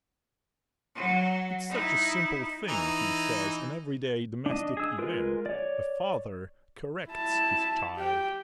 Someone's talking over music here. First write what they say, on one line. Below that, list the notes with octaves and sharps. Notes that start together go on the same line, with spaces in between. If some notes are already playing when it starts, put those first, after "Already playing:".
'It's such a simple thing,' he says, 'an everyday domestic event. A father corrects his child.
F#3
D#4 E4
E3 D#4
D4 D#5
G#4 E6
G#3 F4 A#4 B4
C#5 D5
E4 A5
G4 G5